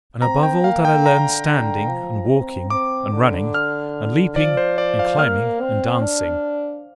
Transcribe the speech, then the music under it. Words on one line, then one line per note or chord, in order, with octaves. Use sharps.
And above all did I learn standing and walking and running and leaping and climbing and dancing.
C4 A#5
G5
A#3 F5
G5
D3 A#5
D3
F3
C4
C4 D6
D3
F6
F3 D5
C5
D5
F5
A#3 F6
C4
D4